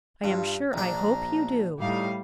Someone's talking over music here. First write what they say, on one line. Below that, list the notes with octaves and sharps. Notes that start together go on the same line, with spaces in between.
I am sure I hope you do.
G2 F4
A#1 D4 A#5
A2 G3 D#4 F5